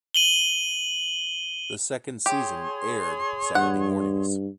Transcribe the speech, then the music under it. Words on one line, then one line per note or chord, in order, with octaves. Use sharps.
The second season aired Saturday mornings.
D#7 F#7 G7
G4 G#4 C#5 C6
G2 F#5